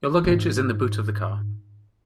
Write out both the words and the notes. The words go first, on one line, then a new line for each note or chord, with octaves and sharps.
Your luggage is in the boot of the car.
G#2 D#4